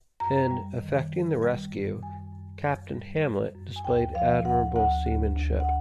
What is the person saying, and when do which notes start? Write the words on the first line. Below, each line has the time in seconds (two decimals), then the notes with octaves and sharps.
In effecting the rescue, Captain Hamlet displayed admirable seamanship.
0.20 F#2 A#5
0.51 G3
0.81 D#3
1.12 G3
1.42 G3
1.72 F#2
2.02 F#2 G#5
2.33 F#2
2.63 F#2
2.94 G3
3.24 G3
3.54 F#2
3.76 G#5
3.85 D2 G5
4.15 F3 F5
4.45 D2 F#5
4.76 D2 F#5
5.06 D2
5.36 D2
5.60 F#5